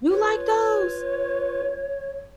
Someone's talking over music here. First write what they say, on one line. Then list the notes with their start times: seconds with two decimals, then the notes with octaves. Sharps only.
You like those?
0.11 F4 B4 C#5